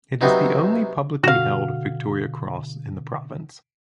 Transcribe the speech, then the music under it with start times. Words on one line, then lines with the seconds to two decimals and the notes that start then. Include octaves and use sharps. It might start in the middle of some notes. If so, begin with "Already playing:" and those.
It is the only publicly held Victoria Cross in the province.
0.21 C3 F#3 B3 C4 D#4
1.24 B2 D3 F#4 F5